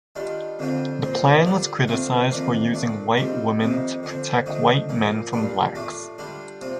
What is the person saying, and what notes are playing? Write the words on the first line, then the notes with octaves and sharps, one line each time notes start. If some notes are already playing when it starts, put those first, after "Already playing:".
The plan was criticized for using white women to protect white men from blacks.
D#3 G3 D4 F4
F2 D3 F3 C4 F4
A#2 F3 C4
D3 G3 D4 F4
D3 F3 A3 C4 F4
F2 D#3 A#3 D4 F4
A#2 A3 D4
D#3 G3 C4 F4
F2 C3 D#3 A#3
D3 F3 C4
D3 F3 A3 D#4
A#2 F3 A#3
A#2 G3 D4 F4
A2 A3 D4 F4
D3 G3 D4 F4
C3 F3 C4 F4